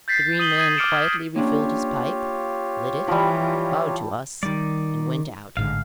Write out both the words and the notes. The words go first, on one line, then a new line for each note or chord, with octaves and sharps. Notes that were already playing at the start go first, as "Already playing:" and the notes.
The Green Man quietly refilled his pipe, lit it, bowed to us, and went out.
G6 A6 B6 C7
D#6 D#7 F#7 G7
D#6 G#6 D#7
D6 F6 C#7 D7 E7
A#3 C#4 D4 F4 G4 C#5
E3 F3 G3
D#3 G3 D5
A1 G#2 D3 F5